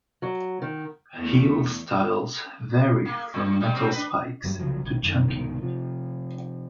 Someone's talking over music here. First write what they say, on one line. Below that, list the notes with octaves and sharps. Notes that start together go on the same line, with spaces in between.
Heel styles vary from metal spikes to chunky.
F#3
D#3
E2 A3
A#3
A2
G3 G#3
F#3 G3 C4
D4 B4
G2 F#3 G3
C2 C#3 F3 F#3
A#1 D#3
F#2 D#3
C2 G#2 B2 D#3
C3 F3